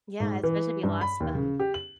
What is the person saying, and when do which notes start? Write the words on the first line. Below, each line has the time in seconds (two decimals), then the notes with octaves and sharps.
Yeah, especially if you lost them.
0.20 G#2
0.43 E3
0.83 G2
1.01 B5
1.20 D#2
1.35 C#3
1.60 G4
1.74 F#7